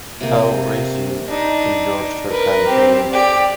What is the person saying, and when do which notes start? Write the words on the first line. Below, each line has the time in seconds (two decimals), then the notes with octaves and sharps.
Karl Racine endorsed her campaign.
0.21 C3 A#3
1.28 D4 D#4
2.29 A#4 B4
2.67 C4 G4
3.10 G4 D5